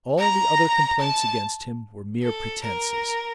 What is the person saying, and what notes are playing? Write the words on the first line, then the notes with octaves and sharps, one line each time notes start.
All the other complaints against him were mere pretences.
A#5
A5
A4
A#4